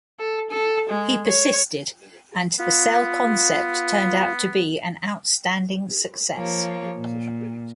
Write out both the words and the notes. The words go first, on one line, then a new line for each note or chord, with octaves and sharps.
He persisted, and the cell concept turned out to be an outstanding success.
A4
A4
G#3
C#5
B3 F4
F3 A#3 C#5
A#2